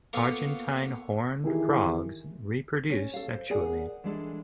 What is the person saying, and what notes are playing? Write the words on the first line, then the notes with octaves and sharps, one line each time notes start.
Argentine Horned frogs reproduce sexually.
A#3 B3 F4 A4 C#5
D#3 E3 E4 G4 G#4
C#4 C#5
A4 F5
C5
G#4 A#4 D5 F#5 G#5
E3 G#3 D4 A4